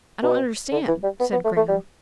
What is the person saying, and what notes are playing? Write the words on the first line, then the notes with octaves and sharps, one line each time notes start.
"I don't understand," said Graham.
B2
D3
E3
G3
B3
B3
A3
A3
G3